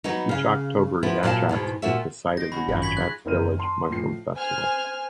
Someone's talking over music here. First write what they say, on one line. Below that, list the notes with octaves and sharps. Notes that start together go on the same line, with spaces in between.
Each October, Yachats is the site of the Yachats Village Mushroom Festival.
F#3 B3 D#4
C#3 F5
F3 B3 E4 B4
A#2 F#3 D5 F5 A5
E2 G#2 B2
A#2 F#4 E5
D#4 C6 D6 A#6
C#4 F#4 F#5 B5
G#1 F#2 F3 B4
C#6 G#6 B6 F#7
G#4 B4 F#6
F#1 D#3 E4 C5 F6 D#7
A5 C6
A2 F3 C7
C5 G#5 F6